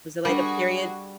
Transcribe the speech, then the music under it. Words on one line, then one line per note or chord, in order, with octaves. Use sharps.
Was it like a period
G3 D4 F#4 G#4 A#4